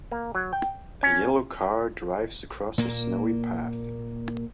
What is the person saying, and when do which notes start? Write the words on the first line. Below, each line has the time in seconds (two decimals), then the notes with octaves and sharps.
A yellow car drives across a snowy path.
0.12 A#3
0.35 F#3
0.53 G5
1.03 C#4
2.78 A#2 A#3